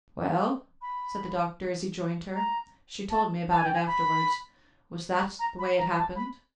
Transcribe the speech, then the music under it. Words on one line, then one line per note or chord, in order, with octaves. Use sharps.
"Well," said the Doctor, as he joined her--she told me about it afterwards--"was that the way it happened?"
B5
A#5
A5
A5
G#5
G5
G#5
B5
A#5
B5
A#5
A5
B5